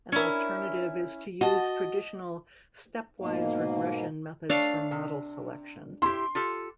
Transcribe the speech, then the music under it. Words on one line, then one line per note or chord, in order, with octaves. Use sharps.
An alternative is to use traditional Stepwise regression methods for model selection.
C#4 D4 E4 A#4
F#4 D#5 A5
G#2 B2 A#3
A3 D4 C#5 F5
C3
E4 G4 C6
F4 G4 A4